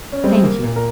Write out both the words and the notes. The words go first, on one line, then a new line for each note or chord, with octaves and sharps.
'Thank you.
C#4
G3 G#3 C4
A#3
A#2
A#4